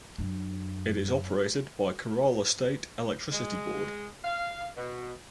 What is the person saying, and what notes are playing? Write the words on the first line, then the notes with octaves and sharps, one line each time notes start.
It is operated by Kerala State Electricity Board.
F#2 D4
G#3
F5
B2